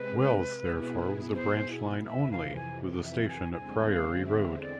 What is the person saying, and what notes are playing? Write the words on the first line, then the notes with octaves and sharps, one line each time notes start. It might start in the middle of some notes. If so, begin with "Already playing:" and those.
Wells therefore was a branch line only, with the station at Priory Road.
Already playing: C3 G#3 C4 B4
B2 B3 E4 G#4
C5
F2 C3 E3 E5
F5
G#5
E5
G#5
E2 D3 G#3 C4 G#5
F5
E5
D5